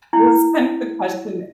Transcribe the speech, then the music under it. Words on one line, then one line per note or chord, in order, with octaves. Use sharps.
That's kind of the question
E4